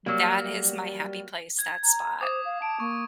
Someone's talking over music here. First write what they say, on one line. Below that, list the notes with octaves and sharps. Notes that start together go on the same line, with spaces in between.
that is my happy place, that spot.
F#3 G3 A#3
G#6
A#5
C5 D6 D#6
F5
A5 D7
A#3 C#6